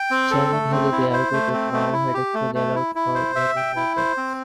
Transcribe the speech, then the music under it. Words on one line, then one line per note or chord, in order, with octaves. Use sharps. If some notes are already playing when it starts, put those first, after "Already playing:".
Chang and Halliday argue that Mao had actually allowed for many more deaths.
Already playing: G5
C4
A4
A3
C4
E4
C5
A3
C4
A3
E4
G4
A3
A3
E4
E4
C5
E5
G5
E4
C5
C4